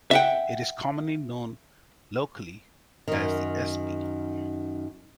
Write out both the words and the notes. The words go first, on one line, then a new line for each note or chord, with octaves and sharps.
It is commonly known locally as "The Espy".
E5 F#5 G5
F#2 D#3